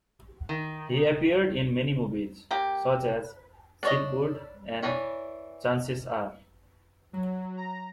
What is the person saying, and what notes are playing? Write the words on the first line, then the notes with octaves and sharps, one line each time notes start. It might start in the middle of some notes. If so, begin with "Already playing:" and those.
He appeared in many movies, such as "Silkwood" and "Chances Are".
D#3
A#3 G4
D4 C#5 D#5
E3 D4 C#5 B5
F#3
A#5